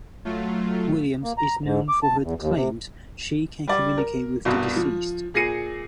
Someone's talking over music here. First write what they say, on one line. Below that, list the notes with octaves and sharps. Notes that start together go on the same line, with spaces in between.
Williams is known for her claims she can communicate with the deceased.
F#3 A3 F4
A#3
A#5
G#2
D6
A5
E2
D#2
C3
G3 D5
A#4
C2 G2 B2
F3
A#2 G#4 A#6 C7 C#7 D#7